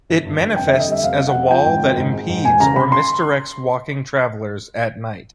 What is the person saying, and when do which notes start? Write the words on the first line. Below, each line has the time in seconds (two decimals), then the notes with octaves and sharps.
It manifests as a wall that impedes or misdirects walking travelers at night.
0.09 G1
0.25 G2
0.41 G1
0.56 F1 G5
0.68 D3 E5
0.80 D#5
0.88 G3 E5
1.03 F1 F5
1.19 F1
1.27 F#5
1.34 F1
1.51 F3 G5
1.66 G#2
1.83 G#1
1.97 G#2
2.14 G#3
2.29 G#2
2.45 E1 G#5
2.60 C#3 A#5
2.76 C#3 B5
2.92 C6